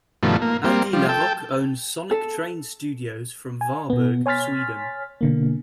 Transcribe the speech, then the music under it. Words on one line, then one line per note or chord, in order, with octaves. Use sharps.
Andy LaRocque owns Sonic Train Studios from Varberg, Sweden.
G2 B2 D#3 F3 A3
A#3
G3 A#3 C4
F3 G3
A4 G5
A4
G#5
B2 B3
C#5 G#5 C6 F6 A6 B6
B2 D3 A#3